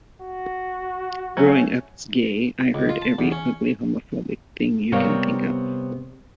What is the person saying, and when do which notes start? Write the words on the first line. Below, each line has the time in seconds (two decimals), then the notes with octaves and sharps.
Growing up as gay, I heard every ugly homophobic thing you can think of.
0.21 F#4
1.37 F#3 A3 C#4
2.74 C#2
2.89 F4
3.02 A5
3.19 E2
3.31 C#4
4.92 C3 G3 B3 A#4 C#5 F5